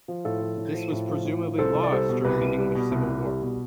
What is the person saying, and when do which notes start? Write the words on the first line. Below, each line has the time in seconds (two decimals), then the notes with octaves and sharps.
This was presumably lost during the English Civil War.
0.08 F3
0.25 A2 F4 A4
0.41 F3
0.58 A2
0.75 F3
0.92 A2
1.08 F3
1.25 A2
1.42 F3
1.58 C2 A4 C5
1.75 C2
1.83 D5
1.92 G3 A4 C5
2.09 B2
2.25 C2 G4 B4
2.41 C2
2.58 G3
2.75 B2
2.91 C2
3.08 C2
3.25 G3
3.42 B2